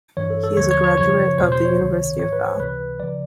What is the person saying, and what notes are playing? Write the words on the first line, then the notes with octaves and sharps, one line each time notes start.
He is a graduate of the University of Bath.
G2 E3 C#5
A4
A4
D#2 D3 F3 C#5
C#5
C#5
F#2 C#3 F3 C#5
E2 B2 C5
C5
C#5
C#2 C3 D#3
G#2 E3 C#5
B4
C5
C#2 C3 E3 B4
C#3 F3 D5